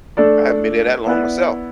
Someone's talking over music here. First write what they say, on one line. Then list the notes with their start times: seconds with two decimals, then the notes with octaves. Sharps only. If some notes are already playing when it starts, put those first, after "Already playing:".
I haven't been here that long myself,"
0.17 A3 D4 A4 D5
1.06 B3 E4 B4 D5